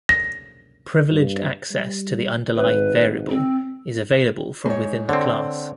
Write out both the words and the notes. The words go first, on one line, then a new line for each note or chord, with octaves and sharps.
Privileged access to the underlying variable is available from within the class.
A#6
G2
G3
G#1 B4
C4
G#2 C#5
D3 C4 C#5